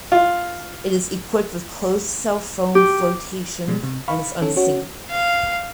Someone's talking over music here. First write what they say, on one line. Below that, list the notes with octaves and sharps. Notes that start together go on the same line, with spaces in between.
It is equipped with closed cell foam flotation and is unsinkable.
F4
G4
B2 G3 G#3
C3
F5 B5 C#6
D#3 C#4 A4
C#4 F#4 C#5
F5